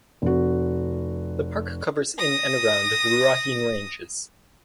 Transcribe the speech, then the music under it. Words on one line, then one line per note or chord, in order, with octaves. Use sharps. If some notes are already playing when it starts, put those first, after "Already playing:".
The park covers in and around the Ruahine Ranges.
F1 F#4
D#6 A#6